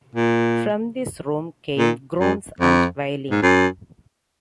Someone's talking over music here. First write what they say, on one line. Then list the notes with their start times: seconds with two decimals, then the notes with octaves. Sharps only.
From this room came groans and wailing.
0.16 A#2
1.78 A#2
2.20 F#2
2.60 F2
3.31 G#2
3.42 F#2